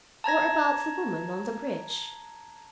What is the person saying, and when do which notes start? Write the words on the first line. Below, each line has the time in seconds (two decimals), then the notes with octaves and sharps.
Or about the woman on the bridge?
0.24 A5 A#5 G#6 A#6